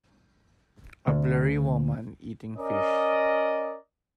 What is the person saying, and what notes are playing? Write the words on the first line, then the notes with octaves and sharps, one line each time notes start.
A blurry woman eating fish.
D2
C#4 A#4 D5 D#5